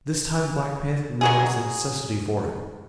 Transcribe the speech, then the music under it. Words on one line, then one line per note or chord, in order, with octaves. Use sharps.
This time Black Panther realized the necessity for it.
F#3 F#4 G#4